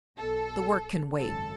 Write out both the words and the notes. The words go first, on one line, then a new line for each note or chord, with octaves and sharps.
The work can wait.
B1 B2 A4
G#1 F#2 C#3 A4